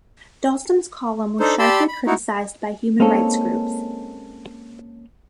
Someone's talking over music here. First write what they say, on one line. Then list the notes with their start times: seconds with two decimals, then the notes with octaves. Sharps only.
Dostum's column was sharply criticised by human rights groups.
1.40 D4 D#4 A4 C5
1.59 G4 D5 A5 B5 C6 E6
1.88 B5
2.07 D#4 E4 F#4
3.00 G#3 A#3 C4 C#4 D#4 A4